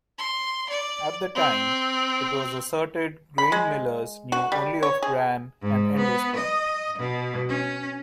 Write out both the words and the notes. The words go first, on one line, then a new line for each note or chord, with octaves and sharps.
At the time, it was asserted grain millers knew only of bran and endosperm.
C6
D5
C4
B5
G#3
F#4
G3
C#5
G#4
G#2
B3
D#5
B2
C#4